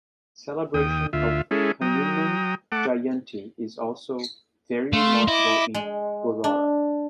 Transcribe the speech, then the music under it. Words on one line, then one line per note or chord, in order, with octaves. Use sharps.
Celebration of Hanuman Jayanti is also very remarkable in Warora.
D#2 G5 D#6
D2 F4 E5
G#3 C#4 E4 G#4 A4
F#3 G5 A#5 D#6
A3 F#5 A5 D6
A3 F5 C6
E4 D#5 D6
G#3
D4